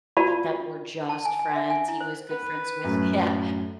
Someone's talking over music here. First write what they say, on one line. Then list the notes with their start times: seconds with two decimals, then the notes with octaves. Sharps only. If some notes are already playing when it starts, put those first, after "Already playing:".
that we're just friends he was good friends with Yeah,
0.17 F4 F#4 D5 A5 B5
1.09 A5
1.25 G#5
1.39 G#5
1.56 E5
1.70 G#5
1.88 E4
2.00 C5
2.30 B4
2.84 F#2 A2